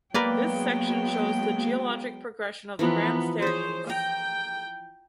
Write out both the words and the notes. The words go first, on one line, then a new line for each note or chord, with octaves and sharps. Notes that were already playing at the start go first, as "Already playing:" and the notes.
This section shows the geologic progression of the Grand Staircase.
F#3 G#3 A#3 B3 A#4 B4 D5 G5
E3 F3 B3 A#4
G#4 C5 C#5
G5 A#5